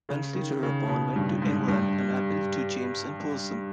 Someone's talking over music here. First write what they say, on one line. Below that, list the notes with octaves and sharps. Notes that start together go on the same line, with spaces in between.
Huntly thereupon went to England and appealed to James in person.
C#3
D#3
C#3
B2
G2
G#2
G2